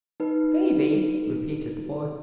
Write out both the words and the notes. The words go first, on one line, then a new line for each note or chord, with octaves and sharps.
"Baby!" repeated the boy.
D#4 B4